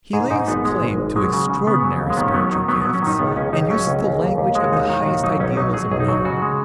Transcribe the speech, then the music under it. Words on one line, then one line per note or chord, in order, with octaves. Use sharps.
He lays claim to extraordinary spiritual gifts, and uses the language of the highest idealism known.
G#2 G#4
G#2 D#4
G#1 B3
G#3
G#1
G#1
F#3 G#3
C#3
C#3
C#3 B3
F#3
D#2
G#3
D#3 B3
C#4
F#3 B3
D#3 D#4
F#3 B3
B3
F#3
C#4
D#3 D#4
C#2 B3
C#2 C#4
C#2 D#4
F#3 C#4
C#2
C#2
D#2
D#2
G#3
F#4
D#2 D#4
D#3 F#4
D#2 F#4
F#3 D#4
B1 C#4
F#3 D#4
F#3 G#4
B1 G#4
D#4
F#3 F#4
C#3 F#4
G#3